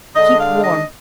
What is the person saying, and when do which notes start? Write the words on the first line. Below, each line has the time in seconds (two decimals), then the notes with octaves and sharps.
Keep warm.
0.15 D3 G#3 D4 D#5
0.39 F5
0.63 D#5